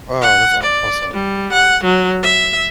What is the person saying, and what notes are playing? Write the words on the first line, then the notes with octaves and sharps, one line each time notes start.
Oh, that's awesome.
F#5
D5
G3
F#5
F#3
E5